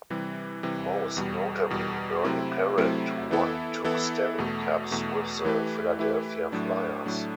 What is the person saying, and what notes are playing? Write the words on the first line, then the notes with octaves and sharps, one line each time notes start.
Most notably Bernie Parent, who won two Stanley Cups with the Philadelphia flyers.
C3 E3 G3
C3 E3 G3
E2 B2 G3
E2 B2 G3
C3 F#3 A3 C4 E4
C3 F#3 A3 C4 E4
E3 B3 E4 A4
E3 B3 E4 A4
E2 B2 A3
E2 B2 A3
E3 A3 E4 G4 B4
E3 A3 E4 G4 B4
A2 F#3 A3 D4
A2 F#3 A3 D4